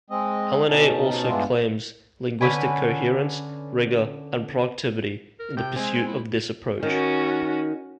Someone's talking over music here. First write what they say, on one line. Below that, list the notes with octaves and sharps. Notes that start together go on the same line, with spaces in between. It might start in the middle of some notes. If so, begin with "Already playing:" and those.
Alinei also claims linguistic coherence, rigor and productivity in the pursuit of this approach.
G#3 C4 D#5
B2 C#4 D#4 A5
G2 G#3 B3 D4 E4 F4
D3 C#4 B4 G#5
A#4
C3 G5
G#3 C4 G#5
E4
D#3 C#4 F#4